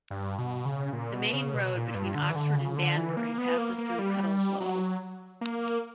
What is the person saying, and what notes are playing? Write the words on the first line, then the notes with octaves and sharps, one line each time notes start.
The main road between Oxford and Banbury passes through Cutteslowe.
G2
B2
C#3
A#2
B2
C#3
B2
A#2
G2
D3
E3
D3
C#3
D3
E3
A#3
B3
A#3
A#3
G3
G3
F#3
A#3